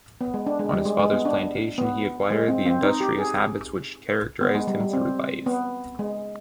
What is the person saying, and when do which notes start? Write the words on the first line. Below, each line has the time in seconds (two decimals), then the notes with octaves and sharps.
On his father's plantation he acquired the industrious habits which characterized him through life.
0.21 B3
0.34 G#3
0.47 D4
0.59 G#3
0.73 G3
0.85 G#3
0.99 G#3
1.12 B3
1.25 D4
1.78 B3
2.31 G#3
2.48 C4
2.66 C4
2.83 D#4
3.01 G4
3.18 G#4
4.41 B3
4.55 G#3
4.67 G3
4.80 G3
4.93 C4
5.46 B3
5.99 G#3